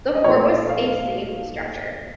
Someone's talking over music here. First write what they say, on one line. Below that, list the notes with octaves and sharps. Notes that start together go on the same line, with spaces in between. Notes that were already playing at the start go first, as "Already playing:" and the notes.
The Fort was a safe structure.
D#5
A#2 F3 A3 D#4 C#5
F5